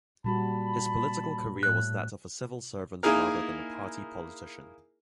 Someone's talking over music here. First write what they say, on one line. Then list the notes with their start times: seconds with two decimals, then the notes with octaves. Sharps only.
His political career was that of a civil servant rather than a party politician.
0.24 A#2 G3 F#4 A5 B5
1.63 A2 F#6
3.03 A#3 D#4 E4 G#4 A#4